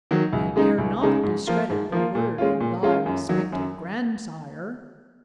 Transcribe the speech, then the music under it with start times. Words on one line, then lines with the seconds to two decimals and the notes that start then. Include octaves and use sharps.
"We dare not discredit the word of thy respected grandsire."
0.11 D#3 F#3
0.33 C#2
0.56 C#3 G#3 D#4
0.78 C#2
1.01 C#3 G#3 D#4
1.23 G#2
1.47 F3 A#3 F4
1.70 G#2
1.92 F3 A#3 F4
2.15 A#2
2.38 G#3 C#4 F4
2.60 A#2
2.83 G#3 C#4 F4
3.06 F#2
3.29 D#3 F#3
3.52 F#2